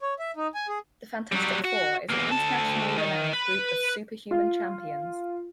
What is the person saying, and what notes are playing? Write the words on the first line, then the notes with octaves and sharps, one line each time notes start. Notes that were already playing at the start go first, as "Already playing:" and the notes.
The Fantastic Four is an internationally renowned group of superhuman champions.
C#5
E5
D#4
G#5
G#4
F#3 G3
F#4
E2 A#3
D2 A5
D#3
B4
F4